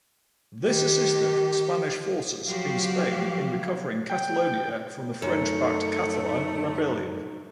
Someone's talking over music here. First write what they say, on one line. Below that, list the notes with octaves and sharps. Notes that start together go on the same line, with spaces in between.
This assisted Spanish forces in Spain in recovering Catalonia from the French-backed Catalan rebellion.
D#3 G4
F3 F#3 F#4 G4 F5
G5
F#2 A3 D#4 C#7